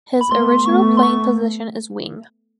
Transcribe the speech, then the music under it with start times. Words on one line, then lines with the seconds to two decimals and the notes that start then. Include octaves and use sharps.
His original playing position is wing.
0.21 B5
0.30 A3 B3 C6
0.66 A3 B3 C#6
0.97 C6
1.03 C#6